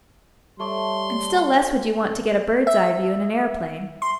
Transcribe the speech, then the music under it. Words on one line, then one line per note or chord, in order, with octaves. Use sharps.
And still less would you want to get a bird's-eye view in an aeroplane.
G3 A3 C#5 D5 C6
E5
C6